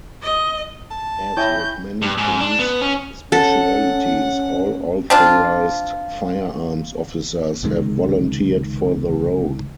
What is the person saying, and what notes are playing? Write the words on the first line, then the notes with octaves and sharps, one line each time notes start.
As with many police specialities, all Authorised Firearms Officers have volunteered for the role.
D#5
A5
E4 C#5 D#5 G5 G#5 G6
G2
G#2
D4
B3
C#4
C#4 A4 F#5
C4 D4 F4
C#2 C3 D#3 G#3